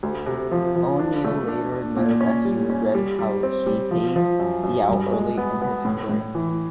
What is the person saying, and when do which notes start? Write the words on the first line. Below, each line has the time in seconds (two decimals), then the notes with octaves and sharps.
O'Neal later admitted that he regretted how he hazed Yao early in his career.
0.03 D2
0.26 C3
0.52 F3
0.76 F3
0.99 D4
1.24 A3
1.48 D4
1.72 D4
1.97 A#2
2.21 C#4
2.45 G3
2.70 C#4
2.94 G3
3.19 G3
3.43 C4
3.66 G3
3.91 F3
4.16 F3
4.39 F#2
4.63 F#2
4.88 G2
5.13 G#3
5.37 B3
5.62 B3
5.85 A2
6.09 A2
6.35 E3